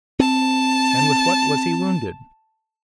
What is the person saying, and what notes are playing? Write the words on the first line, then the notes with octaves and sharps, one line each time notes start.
"And with what was he wounded?"
C4 A5